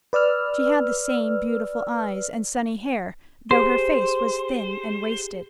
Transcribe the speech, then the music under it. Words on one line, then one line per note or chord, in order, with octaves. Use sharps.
She had the same beautiful eyes and sunny hair, though her face was thin and wasted.
B4 D5 E6 F6
G4 G#4 C5